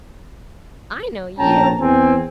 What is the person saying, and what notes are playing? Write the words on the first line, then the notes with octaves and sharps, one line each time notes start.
"I know you!"
A#1 A2 C#4 G5 A5 A#5
E2 C4 G#5